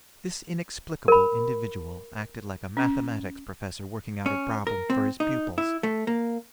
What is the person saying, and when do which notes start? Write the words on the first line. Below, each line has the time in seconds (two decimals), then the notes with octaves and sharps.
This inexplicable individual acted like a mathematics professor working out a problem for his pupils.
1.08 A#4 B5
2.77 C#4
4.26 C#4
4.67 A#4
4.90 C4
5.20 D#4
5.58 E4
5.83 A3
6.07 A#3